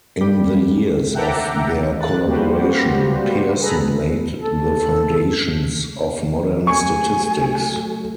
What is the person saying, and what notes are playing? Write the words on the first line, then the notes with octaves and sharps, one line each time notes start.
In the years of their collaboration Pearson laid the foundations of modern statistics.
G3
E5 F#5 G5 A5 A#5 D6
F#6 A6
G3 A#3 F#4 G4 B4 C5
G#4 A4 B4 G#5 A#5 B5
A4
F#3 A3 G#5 C#6